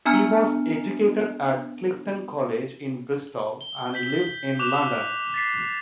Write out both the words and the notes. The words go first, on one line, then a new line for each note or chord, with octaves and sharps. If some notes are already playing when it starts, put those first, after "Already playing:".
He was educated at Clifton College in Bristol and lives in London.
B3 D4 G#5 A#5 F6
G7
G6 B6 F#7
C#6 D6 F#6 E7 F7
A6 B6 C7